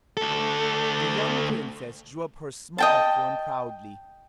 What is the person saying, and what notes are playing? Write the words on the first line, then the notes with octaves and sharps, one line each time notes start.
The young princess drew up her small form proudly.
D2 A4
D#5 G5 A5